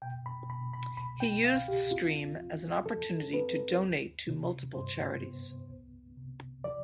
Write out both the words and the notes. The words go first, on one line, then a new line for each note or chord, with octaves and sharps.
He used the stream as an opportunity to donate to multiple charities.
B2 G5
B5
B2 B5
B5
C2 B5
G5
C2 F5
G4
C4 F4
F3
F3 A4
C4 B4
D2
C3
G2 C5
B3
C2
C3
F3 D5